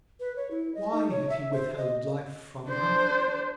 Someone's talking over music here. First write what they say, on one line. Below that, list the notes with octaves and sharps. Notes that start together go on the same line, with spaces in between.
Why had he withheld life from her?
B4
C#5
E4
D#5
D#4
C#5
E5
C5
D#5
D4 C5